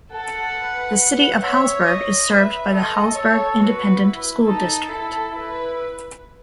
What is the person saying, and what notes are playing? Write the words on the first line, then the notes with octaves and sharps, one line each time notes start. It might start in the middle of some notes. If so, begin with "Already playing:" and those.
The City of Hallsburg is served by the Hallsburg Independent School District.
A4 F#5
B4
C#5 E5
D#5
B4 E5
A4 D#5
A4 C#5
F#4 B4
E4
D#4 A4
E4 A4
E4 B4